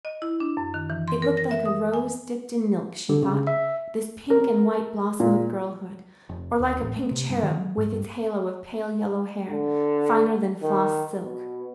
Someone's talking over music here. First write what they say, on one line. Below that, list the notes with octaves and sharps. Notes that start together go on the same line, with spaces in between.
It looked like a rose dipped in milk, she thought, this pink and white blossom of girlhood, or like a pink cherub, with its halo of pale yellow hair, finer than floss silk.
D#5
E4
D4
F#2
D#3
E3
C6
A#4
A#6
E5
D#6
G#5
D3
C#3
E5
A#4
A#2
F1
D#2
A1
A3
C3
G2
D#3
F#3
G#2
G2
D3
D#3
B2